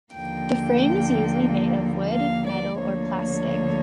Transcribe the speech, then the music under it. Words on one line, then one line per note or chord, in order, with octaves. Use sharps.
The frame is usually made of wood, metal or plastic.
D#2 D3 F3 A#3 G5
F5
D5
D2 D3 F3 A#3 C#5